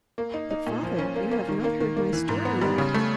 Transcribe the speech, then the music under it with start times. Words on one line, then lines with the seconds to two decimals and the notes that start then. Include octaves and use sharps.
"But, father, you have not heard my story yet."
0.18 A#3
0.34 D#4
0.51 D#4
0.67 A#2
0.83 F3
0.99 C#4
1.16 A#3
1.31 A#3
1.48 D#3
1.64 A#3
1.80 D#3
1.97 A#3
2.13 E3
2.29 G#2
2.45 B3
2.61 G3
2.78 C#3
2.94 A3